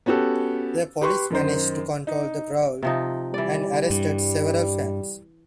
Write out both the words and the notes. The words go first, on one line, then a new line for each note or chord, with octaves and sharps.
The police managed to control the brawl and arrested several fans.
B3 C#4 F#4 G4 A4
G4 B4 C6 C#6
F#2 D#3 C5
D#4
C3 F3 D#4
E3 G3 D5
G2